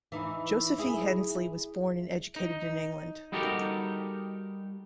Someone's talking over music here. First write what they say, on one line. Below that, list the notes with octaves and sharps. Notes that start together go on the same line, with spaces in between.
Josephy Hensley was born and educated in England.
E3 D#4 E4
E4 G#4
D#4
G3 D#4 F#4 G4 A4 A#4